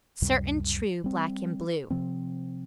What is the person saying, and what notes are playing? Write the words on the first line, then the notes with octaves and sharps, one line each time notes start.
Certain, true, Black and blue.
C#2 F#2 C3 G3
G3 C4
C3 F3 C4